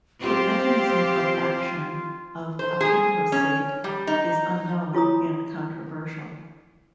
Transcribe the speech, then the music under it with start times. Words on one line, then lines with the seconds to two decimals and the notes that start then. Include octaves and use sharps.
The mechanism of action of acamprosate is unknown and controversial.
0.22 C4 F4 G4 C5
2.59 C5
2.81 G#4
3.32 C#4
3.84 G3
4.07 D#4
4.93 E4 F4 C#5 A#5 D#6